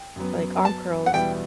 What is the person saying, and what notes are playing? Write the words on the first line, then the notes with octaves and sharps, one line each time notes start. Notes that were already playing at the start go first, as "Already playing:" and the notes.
like arm curls,
Already playing: G5
F#2 F#3 B3
A5
F#5
E2 B2 G3 B3 E4 G5